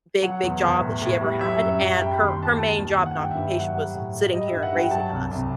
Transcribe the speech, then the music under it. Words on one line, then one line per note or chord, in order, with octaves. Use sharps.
big, big job that she ever had, and her her main job and occupation was sitting here and raising us,
F#3 F#5
E2
E2
A2
A2
G3
F#3 E5
F#2
F#2
G3 G5
B5
D#2
C6
D#2 A5
G3 A5
D#2
D#2
F#5
G2 G5
G2 E5
E5
F#3 F#5
G3 F#5
A2
A2
G3 D#5
G2 E5
F#5
G2 G5
F#3 A5
C2
C2